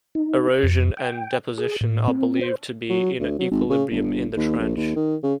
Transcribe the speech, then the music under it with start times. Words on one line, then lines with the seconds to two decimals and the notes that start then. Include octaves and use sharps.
Erosion and deposition are believed to be in equilibrium in the trench.
0.15 D#4
0.63 F2
0.97 G5
1.58 G#4
1.81 A2
2.08 C4
2.41 C5
2.90 F#3
3.20 D2
3.39 F#3
3.51 G#1
3.70 C#3
3.90 G1
4.37 D#2
4.58 A#1
4.76 D#2
4.96 D#3
5.23 C#3